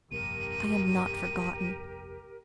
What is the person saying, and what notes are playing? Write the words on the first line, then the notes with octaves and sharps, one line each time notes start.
I am not forgotten.
F1 A#1 G2 G4 A#4 D#7